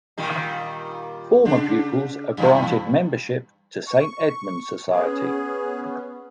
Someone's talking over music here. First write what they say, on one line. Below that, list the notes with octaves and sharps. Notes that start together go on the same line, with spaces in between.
Former pupils are granted membership to Saint Edmund's Society.
A#2 D#3 G3
C#3 D4
F#2 E3 G3
C#6
B3 C#4 G#4